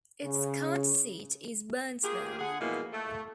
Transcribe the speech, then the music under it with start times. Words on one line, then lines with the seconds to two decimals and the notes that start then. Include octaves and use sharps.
Its county seat is Burnsville.
0.23 C#3
2.03 A#3 F4 G4 G#4
2.39 D3 G#4 F#5
2.60 B2 E3 F3 G#3 A#3 E4
2.93 A3